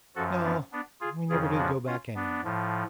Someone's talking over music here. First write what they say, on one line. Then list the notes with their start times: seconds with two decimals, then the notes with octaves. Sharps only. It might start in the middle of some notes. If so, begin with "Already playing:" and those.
No, we never did go back anywhere.
0.16 F#2 F3 F#4 A4
0.43 B3 D4
0.72 B3 D4
1.01 F4 G#4
1.29 F2 C#3 F3 F4 G#4
1.58 D4 F#4
1.87 C#4 F4
2.15 B3 D4
2.44 A2 F3